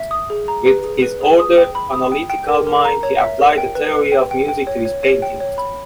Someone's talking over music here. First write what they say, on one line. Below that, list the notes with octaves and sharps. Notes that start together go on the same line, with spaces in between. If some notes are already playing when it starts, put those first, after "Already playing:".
With his ordered, analytical mind, he applied the theory of music to his painting.
Already playing: E5
D#6
G#4
A#5
B4
G#4
B4
G#4
D#6
G5
B5
D#6
G5
G5
A#4
A#4
A#5
C#5
E5
A#4
G5
B4
B4
G5
G5
G5
C#5
C#5
C#5
G5
C#5
B5